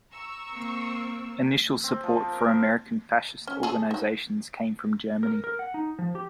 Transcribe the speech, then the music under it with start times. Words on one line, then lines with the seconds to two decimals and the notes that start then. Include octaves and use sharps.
Initial support for American fascist organizations came from Germany.
0.12 A#5 C#6 E6
0.51 A#3 C4
1.83 C4
2.03 F3
2.32 A#4
2.44 C5
3.47 C#4
3.63 G#4 A4
3.91 D#4 F#4
5.23 A#4
5.44 A#4
5.59 F#5
5.74 D#4
5.99 F3
6.15 G4